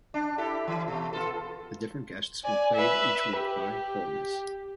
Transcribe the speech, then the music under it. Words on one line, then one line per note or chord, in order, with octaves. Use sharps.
The different guests were played each week by Holness.
D4
E4 G4 A4
E3
B2
B3 F4 A4
D5 G#5
B4 E5
G4